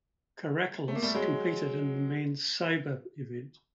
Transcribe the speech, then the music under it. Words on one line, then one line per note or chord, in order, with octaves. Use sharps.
Karakalos competed in the men's sabre event.
A3
A#3
G3 A3
F#3 G#3